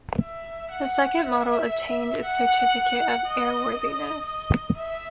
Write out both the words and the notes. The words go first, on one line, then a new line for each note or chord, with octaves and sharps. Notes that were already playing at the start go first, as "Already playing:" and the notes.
This second model obtained its certificate of airworthiness.
E5
F#5
E5
F#5
D#5
D#5
D#5
E5